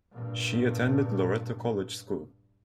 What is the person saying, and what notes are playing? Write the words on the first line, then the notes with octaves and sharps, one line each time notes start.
She attended Loretto College School.
G2 A#2